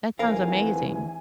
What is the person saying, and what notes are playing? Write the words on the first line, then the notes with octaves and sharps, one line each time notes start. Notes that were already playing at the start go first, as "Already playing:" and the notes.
That sounds amazing.
F1 E2 C3 E3 A#4 F5 G#5